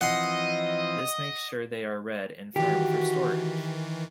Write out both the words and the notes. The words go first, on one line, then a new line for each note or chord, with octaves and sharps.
This makes sure they are red and firm for storage.
E3 F3 C4 D#5 F#5 C6
D#3 E3 F#4 G4